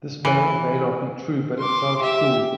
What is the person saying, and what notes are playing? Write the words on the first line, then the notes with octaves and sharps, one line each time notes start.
This may or may not be true, but it sounds cool!
E3
C6 D6
G4 E5